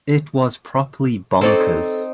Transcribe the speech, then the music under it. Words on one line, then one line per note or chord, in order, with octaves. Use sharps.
It was properly bonkers.
C4 D#4 A4 C#5 D5